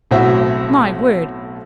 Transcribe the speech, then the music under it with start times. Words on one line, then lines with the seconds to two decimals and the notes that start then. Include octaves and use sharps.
My word!
0.11 B1 A2 C4 F#4 E5